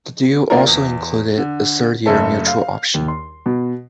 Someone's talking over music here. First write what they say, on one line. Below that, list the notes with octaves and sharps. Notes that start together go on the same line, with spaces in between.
The deal also included a third-year mutual option.
A#3 D4 F4 A#4
E2
D3
F#1 F#2 A3 A4 A5
F5
D#2
C6
B2